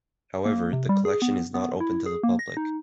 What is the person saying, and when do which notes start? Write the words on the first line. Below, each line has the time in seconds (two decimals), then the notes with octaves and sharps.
However, the collection is not open to the public.
0.46 A#3
0.73 C3
0.89 G3
1.05 G#4
1.22 B3
1.54 B3
1.80 E4
2.06 G#4
2.23 A#3
2.39 A#6
2.57 D#4